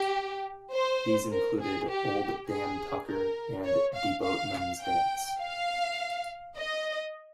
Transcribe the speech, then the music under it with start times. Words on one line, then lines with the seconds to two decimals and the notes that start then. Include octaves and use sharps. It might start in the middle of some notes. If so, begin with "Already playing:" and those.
These included "Old Dan Tucker" and "De Boatman's Dance".
Already playing: G4
0.73 C5
1.31 A#4
1.61 G#4
1.90 G4
2.48 G#4
3.06 A#4
3.65 C#5
3.94 F5
4.23 F5
4.81 G5
5.40 F5
6.56 D#5